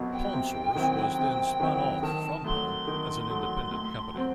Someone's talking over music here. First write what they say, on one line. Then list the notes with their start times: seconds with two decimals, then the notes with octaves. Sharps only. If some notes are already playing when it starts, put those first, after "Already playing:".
PalmSource was then spun off from Palm as an independent company.
Already playing: C2 B2 F#3
0.12 G5
0.33 C3
0.75 D#3 F#3 C4 E4
1.18 C3
1.60 D#3 F#3 C4 E4
2.02 D#3 A5
2.44 F#3 A3 C6
2.88 D#3
3.30 F#3 A3
3.71 A2
4.14 F#3 C4